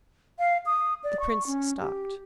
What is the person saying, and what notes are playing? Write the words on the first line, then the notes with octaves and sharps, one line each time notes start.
The prince stopped.
F5
D#6
D5
C#6
C#4
G4